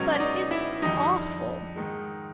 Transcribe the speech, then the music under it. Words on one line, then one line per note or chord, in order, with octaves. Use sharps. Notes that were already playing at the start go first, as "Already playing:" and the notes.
"But, it's awful."
Already playing: C#2 B2 F#3 C#4 C#5
D5
D#4 D#5
E4 E5
F2 D3 G3 D#4 D#5
G#2 D#3 G#3